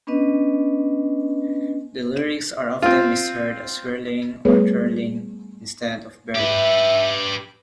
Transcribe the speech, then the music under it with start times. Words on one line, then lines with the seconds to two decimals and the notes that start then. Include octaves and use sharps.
The lyrics are often misheard as "whirling" or "twirling" instead of "birling".
0.07 B3 C#4 D4 B4 D#5
2.82 C4 F4
4.45 G3 A3 B3 G#4 B4 C#5
6.35 G4 B4 E5